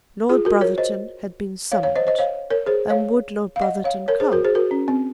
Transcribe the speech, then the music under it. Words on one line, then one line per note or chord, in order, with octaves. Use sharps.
Lord Brotherton had been summoned, and would Lord Brotherton come?
F4 G#4
F#4 A#4
A#4 C#5
C5 D#5
C#5 F5
C#5 F5
C5 D#5
C5 D#5
C#5 F5
A#4 C#5
G#4 C5
C#5 F5
F5
D#5 F#5
C#5 F5
A#4 C#5
G#4 C5
F#4 A#4
G#4 C5
F#4 A#4
C#4
C4